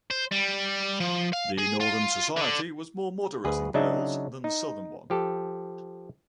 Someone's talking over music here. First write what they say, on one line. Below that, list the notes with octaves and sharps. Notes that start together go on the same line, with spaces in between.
The northern society was more moderate in goals than the southern one.
C5
G3
F3
F5
G#4
F4
D3
D2 G#4 B4
C#3 F#3 D4 D#4 D#5 E5
D#4
F3 G4 A4